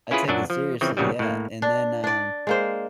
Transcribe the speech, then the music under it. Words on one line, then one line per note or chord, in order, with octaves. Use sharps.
I take it seriously, yeah, and then, um
C#4 E4 F4 G#4 B4
F#2 A#2 F#3 D4
F3
C#3 E3 F3 C4
A#1 A2 C#3 F#3 G3
A2 A#3
D4
D4 D5
G#3 A#3 C5